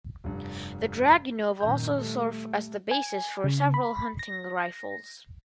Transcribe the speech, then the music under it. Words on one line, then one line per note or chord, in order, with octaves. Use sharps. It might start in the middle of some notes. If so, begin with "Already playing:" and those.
The Dragunov also served as the basis for several hunting rifles.
F1 G2
F#2 A#2 D#3 G6
G3 A3 A4
G#5
C#3
B5
A#6